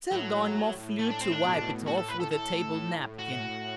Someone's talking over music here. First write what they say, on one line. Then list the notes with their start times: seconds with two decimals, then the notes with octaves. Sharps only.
Pseldonimov flew to wipe it off with a table-napkin.
0.11 A2 F#3
0.99 A3
1.10 D4
1.21 C4
1.32 D4
1.43 B2
1.87 A2 F#4
1.98 A4
2.08 B4
2.20 A4
2.31 A4
2.74 A2
3.19 F#4